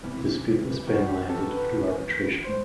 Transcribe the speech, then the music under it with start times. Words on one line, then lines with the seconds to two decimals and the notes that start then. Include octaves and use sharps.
The dispute was finally ended through arbitration.
0.03 E2 C3 E3 E4
0.87 F#2 E3 F#4
1.07 G4
1.29 A4
1.50 B4
1.70 A2 E3
2.44 C5